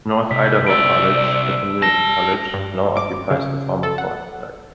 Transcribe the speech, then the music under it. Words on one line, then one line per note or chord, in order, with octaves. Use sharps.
North Idaho College, a community college, now occupies the former fort site.
C3 B6
C2 D5 E6 D7
G4 A5 A#6
G2
D6
C#3
A4
F#5